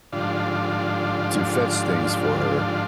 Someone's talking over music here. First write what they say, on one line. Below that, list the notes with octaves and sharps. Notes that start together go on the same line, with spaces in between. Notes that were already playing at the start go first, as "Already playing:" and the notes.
to fetch things for her,
G#2 D3 F3 G3 D4 F4